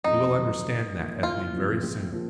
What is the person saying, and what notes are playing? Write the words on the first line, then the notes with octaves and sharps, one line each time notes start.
You will understand that, Ethne, very soon.
F2 D#4
D#3 F#3
G#2
F3 A#3
F#1 F4
F#2 F3 C4
A#1
F3 A#3